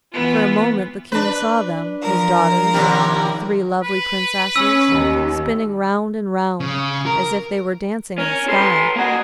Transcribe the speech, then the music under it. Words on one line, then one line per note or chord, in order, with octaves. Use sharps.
For a moment the King saw them, his daughters, the three lovely princesses, spinning round and round, as if they were dancing in the sky.
E3 B3 F4
D4 B4
F3 A#4
D#2 C3 G3
B4
C#4 E6
D#2
C#3
A#4
C#4 A#4
A4 B4 C6
A#3 F#4 G#4